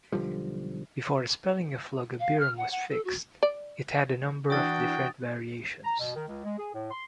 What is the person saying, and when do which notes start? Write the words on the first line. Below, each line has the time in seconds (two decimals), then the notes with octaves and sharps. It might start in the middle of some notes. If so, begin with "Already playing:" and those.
Before the spelling of Logabirum was fixed, it had a number of different variations.
0.12 B1 D3 F3 G3
2.20 F5
2.40 F6
2.57 F#5
2.71 F#5
2.91 A4
3.05 F#4
3.43 D5
4.50 E3 D4 F#4 G5 D#6 A6
5.84 A#5
5.99 B2
6.15 D#3
6.27 C#2
6.44 G#3
6.58 G#4
6.74 A2
6.91 C6